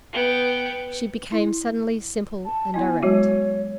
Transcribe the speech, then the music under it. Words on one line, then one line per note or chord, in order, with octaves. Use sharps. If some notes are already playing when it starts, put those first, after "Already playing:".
She became suddenly simple and direct.
B3 G5
E4
A5
B3 E4 D#5 G#5
F#3 G#3 F#4 C#5